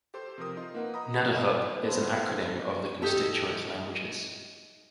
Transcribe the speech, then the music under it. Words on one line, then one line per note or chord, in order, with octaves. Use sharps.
"Nadahup" is an acronym of the constituent languages.
G4 A4 C5 C6 G6
C3 F3 A#4 D#6
D#4 F4 D#5 C6
A#3 A#4 B4 F#5
D#5 A#5 B5 D#6
B3 A4 B4 C5
D#4 G4 A4